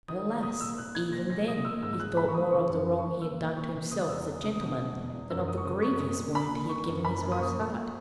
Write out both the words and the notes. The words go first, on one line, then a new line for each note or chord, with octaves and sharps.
But, alas! even then he thought more of the wrong he had done to himself as a gentleman than of the grievous wound he had given his wife's heart.
D#3 D#6
D#3
A#2 D#6
A#2 E6
A#2 F#6
A#2 G#6
A#2 A#6
A#2 A#6
A#2 D#6
A#2 E6
G#2 E6
E6
G#2 F#6
G#2 B5
C#6
G#2 D#6
C#3 C#6
F#2
E3
C#6
E3
A#2 E6
A#2
A#2 C#6
A#2
C#3 D#6
E2 E6
E3 D#6
C#3 D#6
B2 D#6
B2
E2
E2
F#2 E6
F#2 D#6
C#6
C#3 D#6
F#2 C#6
A#2 D#6
A#2
A#2 B5
A#2
D#3 C#6
F#2
F#2 B5
F#2
D#6
A#2 C#6
A#2
A#2